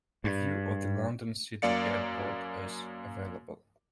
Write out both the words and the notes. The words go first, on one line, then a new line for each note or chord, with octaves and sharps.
A view of the London City Airport is available.
G2
F#2 A#3 D5 F5 C#7